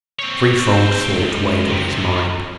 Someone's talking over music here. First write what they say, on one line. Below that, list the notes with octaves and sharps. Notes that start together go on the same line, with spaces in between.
A threefold thought weighed on his mind.
C4 C#5
C#2
C3 D#3